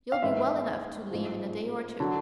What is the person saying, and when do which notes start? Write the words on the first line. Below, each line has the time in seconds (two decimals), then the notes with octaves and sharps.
You'll be well enough to leave in a day or two.
0.12 F5
0.22 G#1 G#2 E3 E5
1.11 A1 G#2 F3
2.00 D3 F#3